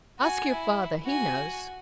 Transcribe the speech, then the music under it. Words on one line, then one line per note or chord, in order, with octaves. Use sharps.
"Ask your father, he knows."
F#4 G#5
E4
F#4 G#5